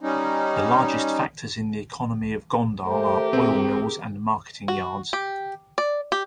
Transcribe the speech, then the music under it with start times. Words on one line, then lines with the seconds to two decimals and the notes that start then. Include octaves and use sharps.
The largest factors in the economy of Gondal are oil mills and marketing yards.
0.01 G3 C#4 D#4
2.85 A3 G4 A#4 C5
3.33 C4 G#4
4.68 F#4
5.13 G4
5.78 D5
6.12 G4